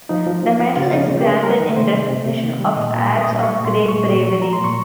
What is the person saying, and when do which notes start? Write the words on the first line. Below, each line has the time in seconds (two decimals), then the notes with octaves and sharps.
The medal is granted in recognition of "acts of great bravery".
0.09 F3 D#4
0.27 F3
0.43 F3
0.59 F3
0.76 C#3 F4
0.93 C#3
0.99 F4
1.10 C#3
1.21 G4
1.26 C#3
1.43 G3 A#4
1.60 D#3
1.77 C3 C5
1.94 C3
2.10 C3
2.26 C3
2.44 D#3
2.60 G3
2.76 A#2 D#5
2.94 A#2 G5
3.11 G3
3.21 D#6
3.26 A#2
3.43 G3 C#6
3.60 A#2
3.66 C6
3.77 G3
3.88 C#6
3.93 A#2
4.10 A#2 C#6
4.27 F3
4.42 F3 A#5
4.53 C6
4.60 A#2 C#6